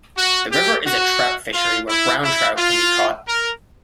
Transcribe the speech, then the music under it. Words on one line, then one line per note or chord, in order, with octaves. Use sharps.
The river is a trout fishery where brown trout can be caught.
F#4
G4
F#4
F4
E4
E4
F4
A#4